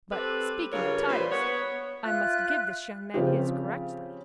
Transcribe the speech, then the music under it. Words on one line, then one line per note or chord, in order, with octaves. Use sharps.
But speaking of titles--I must give this young man his correctly.
G3 C4 G4 A4 B4
G2 C#3 F4 A#4 C#5
A#2 G3 B4 C5
B3 C#5
F4 E5 F#6
C#3 F3 C4 F4 G4